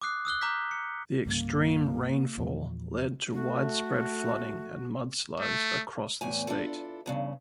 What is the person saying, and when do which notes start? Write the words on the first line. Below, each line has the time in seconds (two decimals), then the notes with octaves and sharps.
The extreme rainfall led to widespread flooding and mudslides across the state.
0.02 D6 D#6 F#6 C7
0.25 D#6 E6 F#6 G7
0.41 A#5 D6 F6 G6 B6
0.71 C#7
1.26 C2 G2 C#3 A#3
2.38 E2 A#2 F3
3.34 A3 F#4
5.40 A3
6.21 E2 A2 G#5
6.47 D4 E4 F4 A4
7.06 E2 G2 C#3